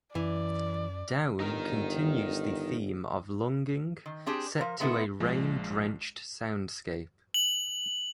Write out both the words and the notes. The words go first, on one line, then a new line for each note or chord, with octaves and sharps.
"Down" continues the theme of longing, set to a rain-drenched soundscape.
F#2 E3 D5
G1 D#4 A#4
D#3
C4 D4 G4 G#4
F3 A#4
G#3 B3 D4 E4 A4
A#1 F3 G#3
F#7